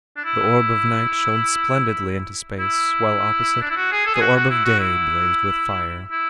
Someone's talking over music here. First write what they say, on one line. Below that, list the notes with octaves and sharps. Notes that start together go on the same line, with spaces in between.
The orb of night shone splendidly into space, while opposite, the orb of day blazed with fire.
D4
E4
E4
D4
E4
F#4
G#4
A4
G#4
F#4
F#4
E4
F#4
E4
E4